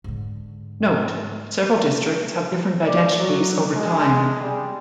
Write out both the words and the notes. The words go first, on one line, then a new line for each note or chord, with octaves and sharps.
Note: several districts have different identities over time.
G#2 D3
D5
F#3
G#3
G3